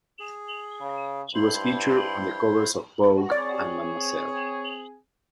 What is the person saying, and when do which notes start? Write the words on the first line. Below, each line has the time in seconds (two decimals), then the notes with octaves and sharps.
She was featured on the covers of "Vogue" and "Mademoiselle".
0.20 G#4
0.81 C#3
1.35 G2 E4 C5 C6
3.31 C4 G#4 C#5 D5